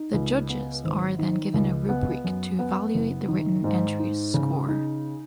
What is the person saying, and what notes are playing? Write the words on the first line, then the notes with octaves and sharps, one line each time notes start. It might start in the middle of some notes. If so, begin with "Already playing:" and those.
The judges are then given a rubric to evaluate the written entry's score.
Already playing: D#4
C#2
B3
G#1
D#3
C#2
B3
F#2
B3
F#1
D#3
G#2
D#4
C#3
D#4